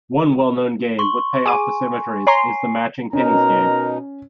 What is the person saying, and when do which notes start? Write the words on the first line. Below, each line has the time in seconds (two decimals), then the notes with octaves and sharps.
One well-known game with payoff asymmetries is the matching pennies game.
0.99 C6 C#6
1.46 G#4 G#5 D6 D#7
2.27 C#5 G#5 A#5 C6 C7
3.13 B2 C#4 D#4 A#4 A#5